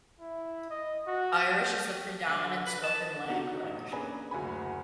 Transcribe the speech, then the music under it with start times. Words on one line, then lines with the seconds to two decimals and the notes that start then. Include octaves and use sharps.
Irish is the predominant spoken language.
0.20 E4
0.71 D#5
1.08 F#4
1.57 G5
2.27 D3
2.67 B4
2.84 A5
3.29 B2 D#4 F#4 G4
3.63 A1
3.92 A#3 C#4 D4 G#4 B4
4.31 F#1 D2 F#4 G#5 B5